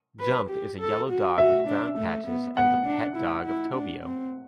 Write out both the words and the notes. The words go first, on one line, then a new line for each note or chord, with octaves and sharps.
Jump is a yellow dog with brown patches and the pet dog of Tobio.
B4
G4
A4
F#4
F#4 E5
D4
A3
B3
B3 F#5
D4
E4
E4
D4
C4